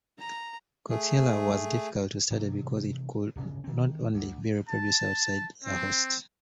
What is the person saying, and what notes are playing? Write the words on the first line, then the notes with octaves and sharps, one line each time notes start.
"Coxiella" was difficult to study because it could not be reproduced outside a host.
A#5
A3 G#4
G#2 C3 D#3 E3
D1 G1 C#3
D#3 C4
D2
A5
C4